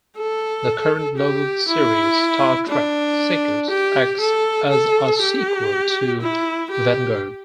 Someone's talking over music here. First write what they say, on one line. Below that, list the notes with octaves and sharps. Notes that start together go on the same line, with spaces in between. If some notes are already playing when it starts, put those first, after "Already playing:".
The current novel series "Star Trek: Seekers" acts as a sequel to "Vanguard".
A4
G4
E4
D4
G4
A4
A4
G4
E4
G4